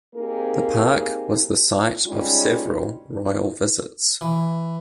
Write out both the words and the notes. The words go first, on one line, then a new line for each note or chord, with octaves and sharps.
The park was the site of several royal visits.
A#3 C4 D#4 G4 G#4 A#4
G3 G#3 C#4 D#4 F4
E3